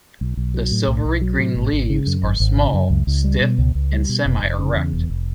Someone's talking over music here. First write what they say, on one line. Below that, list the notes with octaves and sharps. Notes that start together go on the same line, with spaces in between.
The silvery-green leaves are small, stiff and semi-erect.
B1
B1
F#3
A2
B1
B1
F#3
A2
G#1
G#1
C#3
F#2
G#1
G#1
C#3
F#2
C#2
C#2
G3
B2
C#2
C#2
G3
B2
F1
F1
C#3
E2
F1
F1